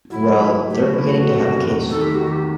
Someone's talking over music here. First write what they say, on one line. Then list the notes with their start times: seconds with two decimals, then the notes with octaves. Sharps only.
Well, they're beginning to have a case.
0.10 F#3 E4
0.41 F#3
0.70 A3 G4
0.82 F#4
0.94 E4
1.00 A3
1.06 F#4
1.30 C3
1.60 E2
1.90 D#3 A4
2.02 G4
2.14 F#4
2.20 D#3
2.27 G4